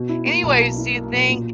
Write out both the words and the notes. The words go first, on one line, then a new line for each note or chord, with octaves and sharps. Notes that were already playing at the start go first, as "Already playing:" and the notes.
anyways, do you think
Already playing: B2
E4
A#3
B1
B2
E4
A#3
B1
A#2